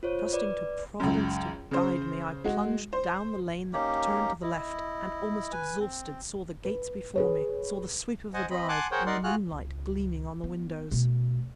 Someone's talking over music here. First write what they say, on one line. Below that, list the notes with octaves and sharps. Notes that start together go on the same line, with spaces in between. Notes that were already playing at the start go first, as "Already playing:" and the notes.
Trusting to Providence to guide me, I plunged down the lane that turned to the left, and, almost exhausted, saw the gates before me--saw the sweep of the drive, and the moonlight, gleaming on the windows!
F4 C5 C#5
B4 D5
C#2 F#2
C#3 C5
G#3 F#4
C5
A#3 C#4 D#4 G4
E4 D#5
B4 G#5
C4
B4
G#4 B4 C#5
C5 D#5 F#5 G#5
C4 D#5 B5
F#5 G#5 A5 C6 D6 F#6
G#4 A#4 C5 C#5 F#5 G5
D#4 A#4 D5 F#5 C6
F4 F#4 G#4 F6 F#6
C#2
B3
B2 A3